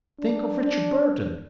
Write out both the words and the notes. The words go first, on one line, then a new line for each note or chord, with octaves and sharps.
Think of Richard Burton!
D4
D4